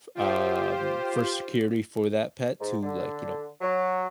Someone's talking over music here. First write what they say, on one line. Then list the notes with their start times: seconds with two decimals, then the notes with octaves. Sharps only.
f um, first security for that pet to, like, you know,
0.15 F4 G4 C5
2.60 G#2
2.83 D3
3.61 F#3